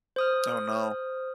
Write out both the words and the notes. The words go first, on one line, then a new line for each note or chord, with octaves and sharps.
Oh, no.
C5 D#6 F6